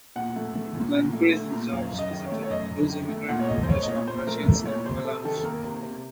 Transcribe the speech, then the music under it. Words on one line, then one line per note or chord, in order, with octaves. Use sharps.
The increase in jobs resulted in a huge immigrant population of Russians in Belarus.
A#2 F#5
A3
A3
A#2
A#2
A3
A3
A#2
F#2 F5
F#2
D#5
D#3
C#5
A3
C#5
F#2 D#5
F#2
D#3
A3
A#2 F#5
C#5
A3 D#5
C5
A3 C#5
D#5
A#2 C#5
A#2 C5
A3 A#4
A3
A#2 C#5
C3 C5
C3 A4
D#3 A4
A4
A#3 A#4
C3
C3